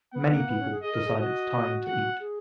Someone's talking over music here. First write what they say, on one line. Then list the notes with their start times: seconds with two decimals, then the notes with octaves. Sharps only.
Many people decide it 's time to eat.
0.13 B3 F#5
0.31 A#3
0.48 B3
0.59 C#4
0.71 G#4
0.82 G#4 D#5
0.93 A#4
1.05 G#4
1.16 F#4 D#5
1.85 F#5
2.20 G#4